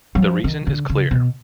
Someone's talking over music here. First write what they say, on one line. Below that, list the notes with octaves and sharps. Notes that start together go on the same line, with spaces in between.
The reason is clear.
F#3
F3
D#3
D3
C#3
B2